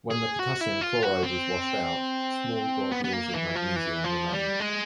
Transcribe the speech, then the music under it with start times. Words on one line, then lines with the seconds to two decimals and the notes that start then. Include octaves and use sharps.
When the potassium chloride was washed out, small globules of magnesium remained.
0.11 G#4
0.39 F#4
0.61 E4
0.81 F4
1.03 F#4
1.23 C4
2.91 B3
3.04 B3
3.13 A#3
3.34 E3
3.56 F3
3.76 E3
4.04 F3
4.33 G3
4.60 G#3